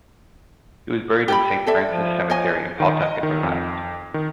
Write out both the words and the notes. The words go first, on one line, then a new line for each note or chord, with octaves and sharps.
He was buried in Saint Francis Cemetery in Pawtucket, Rhode Island.
G4 G5 B5
A4 D5 E5
F3
C#5 D#5 G#5
D#3
D#5
D#3
F2
D#3